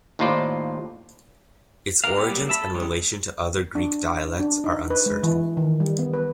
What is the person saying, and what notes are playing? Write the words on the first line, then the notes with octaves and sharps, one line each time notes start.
Its origins and relation to other Greek dialects are uncertain.
D#2 A2 D#4 F4 C5 D5
D4 F#4 A#4 F5
B3 G4
F#3 G3 A#3
E5 A5 B5
A4
G3 G#3 C#4
D4
D4
D#4
B4
G#3
E3
D#3
G3
B3
B4